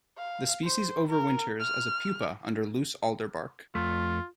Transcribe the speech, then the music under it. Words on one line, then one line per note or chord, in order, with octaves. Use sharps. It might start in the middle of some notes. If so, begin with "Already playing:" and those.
The species overwinters as a pupa under loose alder bark.
F5
C5
A#4
F6
F2 A3 F4